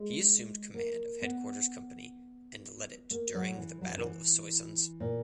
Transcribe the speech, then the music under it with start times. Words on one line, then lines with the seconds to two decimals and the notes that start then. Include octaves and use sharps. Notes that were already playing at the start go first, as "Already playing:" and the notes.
He assumed command of Headquarters Company and led it during the Battle of Soissons.
Already playing: G#3
0.74 A#3
1.22 B3
3.10 A#3
3.34 F#3
3.58 E3
3.81 F#3
3.89 E3
3.97 D#3
4.04 E3
5.00 A#2